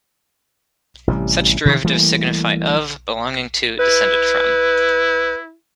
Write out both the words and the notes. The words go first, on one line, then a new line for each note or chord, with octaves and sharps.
Such derivatives signify "of, belonging to, descended from".
A1 C3 E3 G3
C3 D#3 F3
E3 G3 A3 A#3
E4 B4